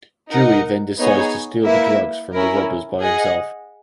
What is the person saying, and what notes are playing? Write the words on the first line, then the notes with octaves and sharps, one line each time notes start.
Dewey then decides to steal the drugs from the robbers by himself.
D#4 A#4 D#5 F#5
B3 D#4 G#4 C#5 G#5
A#3 E4 B4 E5
C#4 E4 A#4
G#4 D#5 F#5